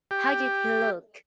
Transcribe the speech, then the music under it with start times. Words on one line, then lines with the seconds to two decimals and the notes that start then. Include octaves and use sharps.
How did he look?
0.11 G4